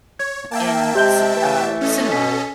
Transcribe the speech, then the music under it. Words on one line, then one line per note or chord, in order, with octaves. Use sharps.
in ci uh, cinema,
C#5 G#6
A#3 E5 G5 A5
C3 G#3 G4 G6 G7
E3 A3
C#4 A4 D#5
B2 G#5 B6